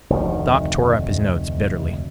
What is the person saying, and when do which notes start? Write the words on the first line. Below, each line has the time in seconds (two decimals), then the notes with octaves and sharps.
Doc tore up his notes bitterly.
0.10 F1 D2 D#3